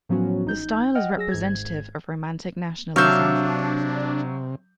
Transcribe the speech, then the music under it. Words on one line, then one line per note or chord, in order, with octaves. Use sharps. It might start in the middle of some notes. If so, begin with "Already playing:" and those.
The style is representative of romantic nationalism.
A2 F3 F#3 B3 C#4 F#4
A#1 D#4 G6
D#5 F#5 G5 F6
F#3 G#4 E6 A#6
G#1 G#2 G#6
C3 F#3 D4 E5 F5 C#6 G6